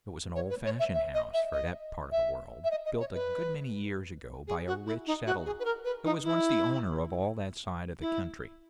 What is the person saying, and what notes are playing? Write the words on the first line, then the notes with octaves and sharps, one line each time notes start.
It was an old-fashioned house for that part of the world, built a good many years ago by a rich settler, who was once the owner of all that side of the country.
C#5
B4
C#5
E5
E5
D#5
E5
D#5
E5
E5
D#5
D#5
C#5
B4
G#4
F#4
E4
D#4
F#4
G#4
B4
A#4
B4
D#4
E4
E4